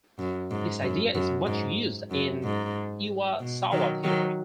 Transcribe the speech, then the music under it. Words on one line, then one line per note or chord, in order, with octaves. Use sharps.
This idea is much used in Iwasawa theory.
F#2
G#2
F#2
F#2
G#2
F#2
G#2
B2
D#3 F#3
D#3 F#3